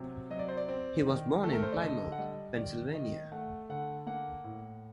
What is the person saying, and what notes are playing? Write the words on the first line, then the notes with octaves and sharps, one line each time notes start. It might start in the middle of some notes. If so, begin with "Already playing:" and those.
He was born in Plymouth, Pennsylvania.
Already playing: C3 F#3
F#3 D#5
D5
C5
D5
C4
D#3
A3 A4
A#4
C5
D5
D3 D#5
F#5
G3 D#5
D#3 D5
D#3 D#5
A3 F#5
D3 F#5
A#3 F#5
A2